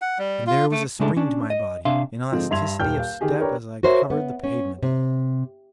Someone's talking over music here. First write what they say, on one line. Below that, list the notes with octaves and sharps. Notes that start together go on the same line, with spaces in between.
And there was a spring to my body, an elasticity of step as I covered the pavement.
F#5
G3
F4
A3
C#3 G#3 A3 D4 E4 A4
C#4 D4
D#5
C3 D4 E5 F5 C6
G#2 D3 F3 C4
G2 E5 C6 G#6 F7
D#1 G5 F6 G6
F5
D#3 G4 G#4
D4 G4 A#4 B4 C#5 G5
F#4 A#4 C5 C#5 E5
B3
C#4
C3